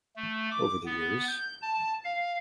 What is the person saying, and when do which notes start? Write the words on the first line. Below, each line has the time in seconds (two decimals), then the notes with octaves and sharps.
Over the years.
0.16 A3
0.51 D6
0.86 B3
1.27 G6
1.62 A5
2.04 F5